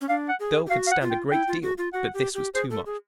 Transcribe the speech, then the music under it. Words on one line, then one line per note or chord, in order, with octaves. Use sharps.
The girl could stand a great deal, but this was too much.
C#4
D4 F5
F#5
G#4
G4
F#4 F5
F5
F#5
F4
G5
E4 G5
F4
F#4
F4
F#4 F#5
G4
G4
G#4 C5
A4
G#4